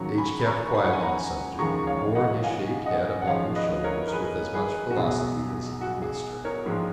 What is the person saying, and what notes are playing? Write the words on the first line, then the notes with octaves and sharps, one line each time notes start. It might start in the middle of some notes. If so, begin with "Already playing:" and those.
H-- kept quiet on the subject, and bore his shaved head upon his shoulders with as much philosophy as he could muster.
Already playing: D#2 C#3 F#3 A#5 C#6
G#5 B5
B5
A#5 C#6
G#5 B5
F#5
G#5
F#5 A#5
D#2 C#3 F3 G#3 A#5 C#6
C#5 F5
D#5 F#5
F5 G#5
D#5 F#5
F#5
G#1 F#2 F3 G#3 C#5 F5
B4 D#5
A#4 C#5
A#4
G#4 B4
G#4 B4
F#4
B1 B2 F#3 G#4
F#4
G#4
A#4 C#5
A#1 G#2 F3 G#3